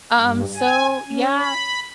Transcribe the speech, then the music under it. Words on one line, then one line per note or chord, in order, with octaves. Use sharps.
Um, so yeah,
G2
G#5
C#4
B5